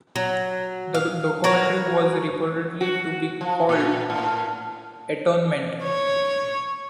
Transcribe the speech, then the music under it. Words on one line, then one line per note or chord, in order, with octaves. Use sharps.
The documentary was reportedly to be called "Atonement".
F#3
F5
F#4 A#4 B4 C#5
F#4
F3
A#2
A2
C#5